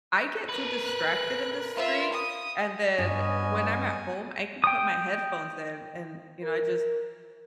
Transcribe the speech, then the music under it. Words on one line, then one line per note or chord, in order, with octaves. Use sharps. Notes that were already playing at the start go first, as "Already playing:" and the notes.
I get too distracted in the street, and then, when I'm at home I can put my headphones in and, you know, I just
A#4 B4
F#6
F4 E5
D#6
G2 B3 C#4 D#5 G#5
G5 D#6
A#4